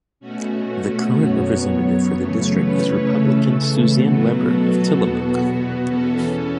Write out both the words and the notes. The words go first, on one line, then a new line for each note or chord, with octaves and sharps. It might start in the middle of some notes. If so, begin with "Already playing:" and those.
The current representative for the district is Republican Suzanne Weber of Tillamook.
B2 A3 C#4 F#4
F#2 F#3 B3 C#5
C#3 E3 A3 C#4 C#5
B4
C#3 E3 A3 A4
B2 F#3 B3 F#4
A4
E2 B2 B3 F#4
E2 E3 C#4 A4